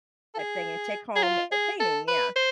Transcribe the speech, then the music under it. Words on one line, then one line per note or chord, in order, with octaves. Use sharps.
type thing, and take home a painting, yeah.
A4
G#4
G#4
F4
G#4
A4
B4
C5